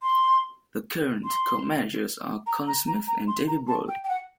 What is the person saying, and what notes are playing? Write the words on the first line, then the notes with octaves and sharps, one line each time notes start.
The current co-managers are Colin Smith and David Brolly.
C6
C6
A#5
A#5
A#5
A#5
C6
A#5
A5
G5
G5
F#5